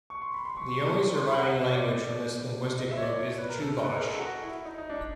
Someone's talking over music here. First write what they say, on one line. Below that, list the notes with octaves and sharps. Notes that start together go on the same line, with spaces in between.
The only surviving language from this linguistic group is the Chuvash.
C#6
C6
B5
C6
C#6
C#6
C6
C6
C#6
C6
B5
F#5
E5
D#5
C#5
D5
D#5
E5
C#5
D5
C#5
B4
A#4
A4
A#4
B4
A#4
G#4
A4
F#4
E4
D#4
D#4
D4